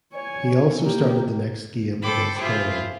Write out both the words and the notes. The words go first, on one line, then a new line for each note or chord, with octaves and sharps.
He also started the next game against Galway.
C#5 G#5
A#3 G4
A4 C5 G5 B5 D6
E4 F4 G4 G#4 C5